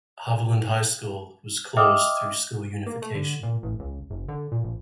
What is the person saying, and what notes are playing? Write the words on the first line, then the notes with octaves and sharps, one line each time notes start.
Haviland High School was closed through school unification.
D#5 E5 G5 D6 D#6 F6
A#3
A3
D3
A#2
A1
C#2
F#1
D3
A#2
A#1